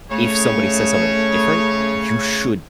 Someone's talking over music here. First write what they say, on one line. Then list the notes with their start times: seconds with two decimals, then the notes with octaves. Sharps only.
if somebody says something e different, you should
0.10 C#3 A3 C#5